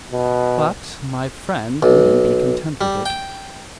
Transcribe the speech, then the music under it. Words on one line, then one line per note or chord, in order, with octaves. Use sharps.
But my friend wouldn't be content with it.
B2
B1
G3
G5